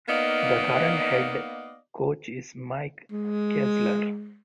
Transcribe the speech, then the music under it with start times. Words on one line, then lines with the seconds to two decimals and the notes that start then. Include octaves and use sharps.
The current head coach is Mike Kesler.
0.09 A#3 B3 D#4 D5 D#5 F5
3.12 G#3